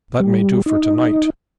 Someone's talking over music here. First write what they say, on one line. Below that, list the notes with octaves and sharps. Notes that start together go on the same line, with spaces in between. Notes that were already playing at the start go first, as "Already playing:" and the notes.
That may do for to-night.
G3
D#4